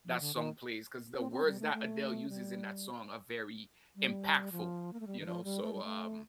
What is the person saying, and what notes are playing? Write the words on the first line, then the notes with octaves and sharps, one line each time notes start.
that song plays?" 'Cause the words that Adele uses in that song are very impactful, you know, so, um,
F3
D3
D#3
C4
C4
G3
A3
A3
G3
G3
F3
A#3
A3
G3
D#3
F3
G3
A3
G3
A3